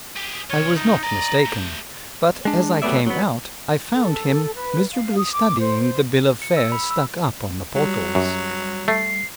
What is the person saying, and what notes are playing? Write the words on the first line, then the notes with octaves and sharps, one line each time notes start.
I was not mistaken, but as I came out I found him miserably studying the bill of fare stuck up on the portals.
G4 G#4
C3 F4 C#5
D#4
D5 D#5 A#5
A3 G4
G#3 D4
F#3 G3 A3 B3 D5 E5
F#3 B3
A4
B4
F5
D#6
D6
C5
C#7
E6
B5
E6
F#3 G3
F#2
A3 C7